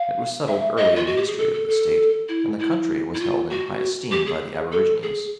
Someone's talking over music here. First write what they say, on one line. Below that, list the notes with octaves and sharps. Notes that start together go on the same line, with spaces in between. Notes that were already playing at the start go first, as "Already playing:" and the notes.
It was settled early in the history of the State, and the country was held in high esteem by the aborigines.
Already playing: F5
E5
D#5
F4
F#4
G4
G#4
A4
A4
A4
E4
E4
E4
F4
F#4
G4
G#4
A4
G#4